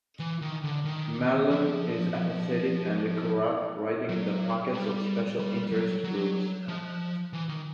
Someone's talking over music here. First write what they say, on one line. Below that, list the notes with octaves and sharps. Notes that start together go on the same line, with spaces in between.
Marlon is apathetic and corrupt, riding in the pockets of special interest groups.
E3
D#3
D3
D#3
F3
F#3
G3
G3
F#3
F#3
F3
E3
D#3